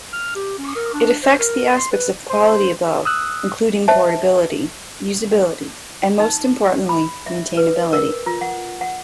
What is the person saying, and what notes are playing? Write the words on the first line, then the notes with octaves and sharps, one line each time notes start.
It affects the aspects of quality above, including portability, usability and most importantly maintainability.
F6
G4
C#4
A#4
D4
C5
A#4
C6
B4
C5
D#6 E6 F#6
C5 E5 A5
D#4
B5
E5
B4
A#4
F4
F#5
F#5